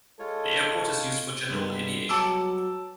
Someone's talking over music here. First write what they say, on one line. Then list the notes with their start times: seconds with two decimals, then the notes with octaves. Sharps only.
The airport is used for general aviation.
0.19 G#3 F4 A4 C#5
1.50 G2 G3 G#3 B3
2.09 F#3 A5 D6 E6